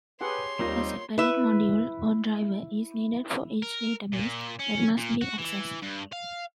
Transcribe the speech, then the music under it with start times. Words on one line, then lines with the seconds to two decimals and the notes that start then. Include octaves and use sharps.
A separate module or driver is needed for each database that must be accessed.
0.21 G4 G#4 B4 C#5 F#5 C6
0.59 D#2 G3 A#3 C4 D#4 F4 A#5
1.18 E4 B4 E5
3.63 A#4
4.13 A#2
4.59 C#4
4.97 A#2
5.21 F#4
5.38 E3
5.82 G2
6.12 F5